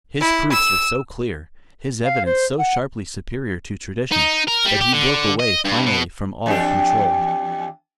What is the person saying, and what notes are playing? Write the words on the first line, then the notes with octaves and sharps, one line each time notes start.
His proofs were so clear, his evidence so sharply superior to tradition, that he broke away finally from all control.
E4
E6
F5
C5
F#5
D#4
A#4
G3
G4
D3
D#5
G2
B2
E2 D4 G4